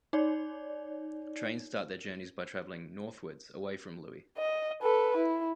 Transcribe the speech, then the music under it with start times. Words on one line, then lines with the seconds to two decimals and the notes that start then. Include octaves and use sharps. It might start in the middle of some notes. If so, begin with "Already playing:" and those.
Trains start their journey by travelling "northwards", away from Looe.
0.13 D#4 C#5 D5
4.37 D#5
4.82 A4 B4
5.17 E4